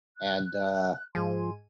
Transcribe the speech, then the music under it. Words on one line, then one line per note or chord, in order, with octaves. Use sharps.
and, uh
F#6
G#2 F3 G#4 G#5 C6